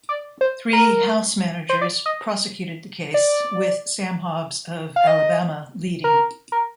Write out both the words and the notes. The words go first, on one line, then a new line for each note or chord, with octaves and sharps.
Three House managers prosecuted the case, with Sam Hobbs of Alabama leading.
D5
C5
A#4
C5
D5
D#5
D5
F5
D#5
A#4
A#4